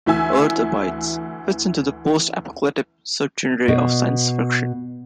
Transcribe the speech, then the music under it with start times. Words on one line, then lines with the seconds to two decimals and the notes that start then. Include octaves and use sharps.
"Earth Abides" fits into the "post-apocalyptic" subgenre of science fiction.
0.06 D2 E3 E5 G#5 E6
3.68 B2